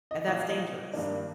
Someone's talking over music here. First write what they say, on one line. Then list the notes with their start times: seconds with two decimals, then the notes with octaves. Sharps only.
And that's dangerous.
0.11 D#5
0.27 A#2 F3 A#3 D#5
0.38 F5
0.49 D#5
0.93 G2 D#3 A#3 D4